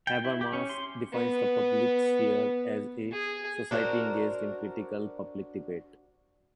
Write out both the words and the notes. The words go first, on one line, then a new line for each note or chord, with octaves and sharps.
Habermas defines the public sphere as a "society engaged in critical public debate".
G5
E4
G4
C#4
C6
B3
G#4
D4 F#4 A#4 C5